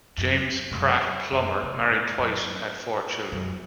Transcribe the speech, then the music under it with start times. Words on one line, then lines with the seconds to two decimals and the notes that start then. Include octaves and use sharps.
James Pratt Plummer married twice and had four children.
0.17 F#2
0.71 G#2
0.76 F#2
1.32 F#2
1.63 C#3
1.72 B2
1.80 A#2
1.90 G#2
2.18 F#2
3.32 F#2